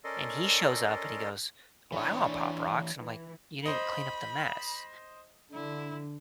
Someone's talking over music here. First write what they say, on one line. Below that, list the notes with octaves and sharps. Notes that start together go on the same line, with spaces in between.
And he shows up and he goes, "Well, I want Pop Rocks." And I'm like, "You didn't clean up the mess."
C#4 A4 A#4 D5 D#5 C6
E3 D4 C#5
E3
C5 D#5 B5
D3 E4